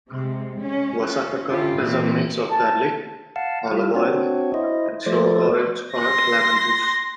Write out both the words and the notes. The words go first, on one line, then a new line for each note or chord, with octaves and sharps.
Wasakaka is a mix of garlic, olive oil, and sour orange or lemon juice.
C3 G#3
G#3 C#4
C#4 F4
D3 C#4 E4 F4 G4
A#2 E3 C4
A5
F5 F#5 A5
G3 F4
C4 D4 F#4 C#5
E4 C5 D#5
F3 A3 C5 D5
C6 A#6